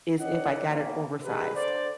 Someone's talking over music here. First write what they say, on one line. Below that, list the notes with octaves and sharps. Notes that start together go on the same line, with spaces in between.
is if I got it oversized,
D#3 C#4 D#4 D5 D#5 F#5
B1 A#3
D#4 G4 G#4 A#4 B4
D3 C5 D5